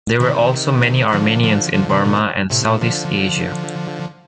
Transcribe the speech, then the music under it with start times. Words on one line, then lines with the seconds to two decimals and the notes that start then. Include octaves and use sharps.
There were also many Armenians in Burma and Southeast Asia.
0.20 C3 D#3
1.12 D3 F3
1.44 D3 F3
1.73 D3 F3
1.89 C3 D#3
2.04 A#2 D3
2.50 A2 C3
2.66 A#2
2.81 D3 F3